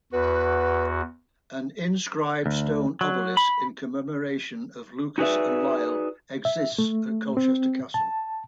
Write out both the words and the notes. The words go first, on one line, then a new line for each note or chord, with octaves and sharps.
An inscribed stone obelisk in commemoration of Lucas and Lisle exists at Colchester Castle.
E2 F#4 B4
D2
F#3
B5
D#4 F#4 G#4 B4 D5 E5
E5
A3
C4
A5